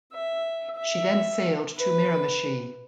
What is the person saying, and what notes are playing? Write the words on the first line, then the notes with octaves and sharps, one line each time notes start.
She then sailed to Miramichi.
E5
E5
B4